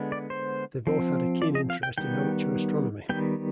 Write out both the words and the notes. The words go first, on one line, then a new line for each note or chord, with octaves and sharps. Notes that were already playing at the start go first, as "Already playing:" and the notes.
They both had a keen interest in amateur astronomy.
Already playing: D3 G#3 B3
D5
C5
F3 C4
D5
D#5
F5
G5
D#3 G3 B3 G5
D#3 G3 B3 G5